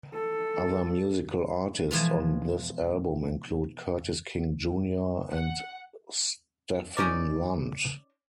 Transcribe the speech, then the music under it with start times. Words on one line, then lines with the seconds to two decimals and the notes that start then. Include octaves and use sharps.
Other musical artists on this album include Curtis King Junior and Stephen Lunt.
0.13 A4
1.91 B2 E3 F3 G#3 B3 F4
5.31 F#5
6.97 C#4 D#4 A#4 D5